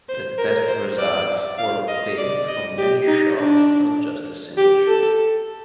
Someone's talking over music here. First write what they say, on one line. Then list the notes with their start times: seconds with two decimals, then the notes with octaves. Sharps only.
The test results were obtained from many shots not just a single shot.
0.09 C5
0.38 A#4
0.68 C5
0.98 D5
1.58 F5
1.88 D#5
2.18 D5
2.48 D#5
2.78 G4
3.08 D#4
3.38 D4
4.58 G4
4.88 A4